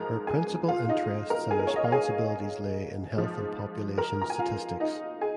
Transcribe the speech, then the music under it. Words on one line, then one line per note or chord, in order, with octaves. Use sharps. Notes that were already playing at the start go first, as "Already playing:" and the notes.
Her principal interests and responsibilities lay in health and population statistics.
Already playing: G#2 F3 G#3 A#4 A#5
G#4 G#5
F4 F5
D#4 D#5
A#4 A#5
G#4 G#5
A#4
C#5
D#5
F5
G#4 G#5
G#2 F3 G#3
A#4 A#5
A#5
G#5
F4 F5
D#4 D#5
G#4 G#5